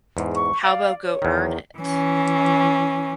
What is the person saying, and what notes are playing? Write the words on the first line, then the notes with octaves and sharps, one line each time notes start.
How about go earn it?
E2 G#2
C#6
D5 F5
C#5
E2 D#3
E3 C#4